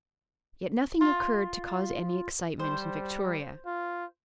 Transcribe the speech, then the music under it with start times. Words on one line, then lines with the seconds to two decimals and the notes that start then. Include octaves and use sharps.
Yet nothing occurred to cause any excitement in Victoria.
1.01 F4
2.59 G3 C5
3.66 F4